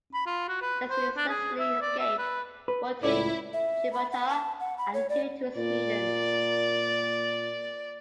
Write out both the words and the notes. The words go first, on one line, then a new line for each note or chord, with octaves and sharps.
Just three successfully escaped, one to Gibraltar and two to Sweden.
B5
F4
F#4
B4
C5
D4
G#4
E5
D5
E5
B4
B4
C#2 A2 E4 D5
E5
B5
F#5
A5
F#5
B5
C#5
D5
A#2 D5